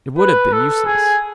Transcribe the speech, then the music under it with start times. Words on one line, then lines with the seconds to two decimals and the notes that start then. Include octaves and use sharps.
It would have been useless.
0.18 B4
0.52 A4
0.86 G#4